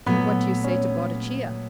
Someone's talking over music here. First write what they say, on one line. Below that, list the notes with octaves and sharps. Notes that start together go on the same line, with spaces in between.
What do you say to Boadicea?
A#2 F#3 A3 B3
C#4